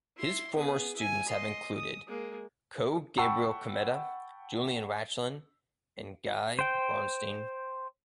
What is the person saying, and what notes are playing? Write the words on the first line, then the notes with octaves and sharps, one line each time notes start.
His former students have included Koh Gabriel Kameda, Julian Rachlin, and Guy Braunstein.
E4 C6
B3 G#4
E4 G#5
D#5 C6
D#6
G#3 A#3
F#5 G5 A5 B5 C#6 E6
C5 G5